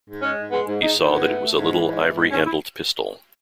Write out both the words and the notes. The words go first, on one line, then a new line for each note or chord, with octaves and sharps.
He saw that it was a little ivory-handled pistol.
G#2
G#3 C#4
G#2
G#3 B3
G#2
G#2 D#4
D#3
G#2 B3
A3
A3
G#2
E3
G#2
E3
G#2
G#2 C#4
E4